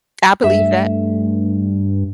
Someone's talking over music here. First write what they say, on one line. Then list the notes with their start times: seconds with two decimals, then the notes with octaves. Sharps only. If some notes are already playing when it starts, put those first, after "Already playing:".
I believe that.
0.44 G2 A3 E5